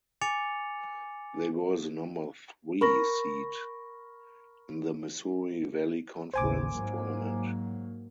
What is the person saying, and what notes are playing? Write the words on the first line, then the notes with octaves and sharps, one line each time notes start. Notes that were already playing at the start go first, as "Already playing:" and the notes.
They were the number three seed in the Missouri Valley Conference Tournament.
G#5 D6 A6 C#7 F7
A#4 B5 C#6 A#6
A1 D#2 C#3 C5 G#5 D6
G#2 F#3 A#3